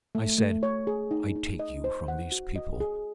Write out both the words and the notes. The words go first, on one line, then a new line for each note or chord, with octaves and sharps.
I said, 'I take you from those people.
A3
A3
C#5
G#4
D#4
D#4
D#5
C5
F#5
F#4
D#5
G#4